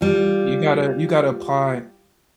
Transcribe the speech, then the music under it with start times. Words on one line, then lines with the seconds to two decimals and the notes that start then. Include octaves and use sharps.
You gotta you gotta apply,
0.01 G3 F4